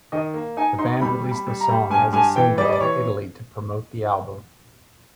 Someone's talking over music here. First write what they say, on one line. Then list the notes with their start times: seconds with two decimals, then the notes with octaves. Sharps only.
The band released the song as a single in Italy to promote the album.
0.12 D#3 D#5
0.34 A#3
0.57 D#4 G#5
0.78 D#4 C6
1.01 G3 B5
1.24 G3
1.31 B5
1.47 G3
1.61 A#5
1.69 G3
1.90 G2 G#5
2.13 G2 G#5
2.36 E3 G5
2.58 G3 D5
2.65 D#5
2.72 D5
2.80 E3 C#5